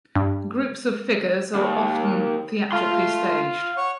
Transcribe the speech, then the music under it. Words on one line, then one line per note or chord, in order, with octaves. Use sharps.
Groups of figures are often theatrically staged.
G2
D#2
A3 F4 F5 C6
C#5 F#5 C#6